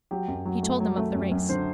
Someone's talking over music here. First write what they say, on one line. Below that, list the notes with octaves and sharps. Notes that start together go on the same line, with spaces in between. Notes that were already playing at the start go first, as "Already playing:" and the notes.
He told them of the race.
F#3 G4
F#2
F#3
A3
F#3
A3
F#2
F#2
D3 C5